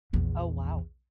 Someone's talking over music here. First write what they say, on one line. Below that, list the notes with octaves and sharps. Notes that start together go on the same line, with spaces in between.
Oh, wow.
A#1 E2